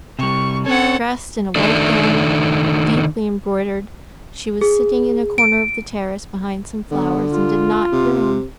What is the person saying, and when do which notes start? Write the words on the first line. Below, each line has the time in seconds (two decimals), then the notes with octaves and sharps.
Dressed in a white gown, deeply embroidered, she was sitting in a corner of the terrace behind some flowers, and did not hear him.
0.19 C3 G3 C#6
0.66 C4 C#4 A4 C#5 F#5
1.56 D#3 A3 D4
4.61 G#4
5.38 D7
6.91 D3 B3
7.32 F4
7.92 C3